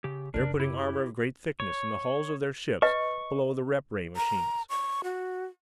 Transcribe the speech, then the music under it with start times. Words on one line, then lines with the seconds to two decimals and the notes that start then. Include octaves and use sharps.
They're putting armor of great thickness in the hulls of their ships below the rep-ray machines.
0.04 C#3 G4
0.34 F#2 C#3 D4 A#4
0.60 E4 G4
1.60 C#5
2.82 B4 D#5 C#6
4.16 A#5
4.70 C#6
5.04 F#4